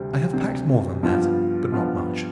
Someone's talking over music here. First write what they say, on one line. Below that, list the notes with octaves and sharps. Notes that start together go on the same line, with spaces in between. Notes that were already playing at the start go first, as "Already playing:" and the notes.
I have packed more than that, but not much.
Already playing: D2 C3 G3 C4
D2 C3 G3 C4
G2 F3 B3 F4
G2 F3 B3 F4